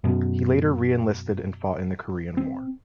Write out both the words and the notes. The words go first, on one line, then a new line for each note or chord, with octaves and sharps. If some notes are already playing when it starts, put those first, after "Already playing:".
He later re-enlisted and fought in the Korean War.
F#2 B2
C4